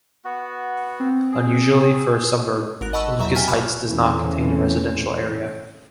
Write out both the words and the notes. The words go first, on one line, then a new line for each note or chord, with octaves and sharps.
Unusually for a suburb, Lucas Heights does not contain a residential area.
B3 F#4
C4
G#4
G#1 A#4 F#6
D#5 F#5 A5 B5 C#6 E6
E2 F#3 E5 A#5 B5
G5 G#5 F6 B6
A5 B5 C#6 D6 F6 F#6
E2 C#3 E3 A3 C4 C#4